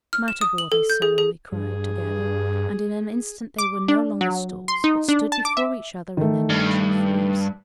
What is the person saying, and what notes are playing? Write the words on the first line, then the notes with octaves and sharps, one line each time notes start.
"Matabor!" they solemnly cried, together; and in an instant they were no longer storks, but stood before each other in their natural forms.
F6
E7
D#6
F#7
A4
G6
G#4
G#4
G2 G#4
D6
D4
F#3
C6
D#4
D4
A5
D6
E5
D#3 A3
G2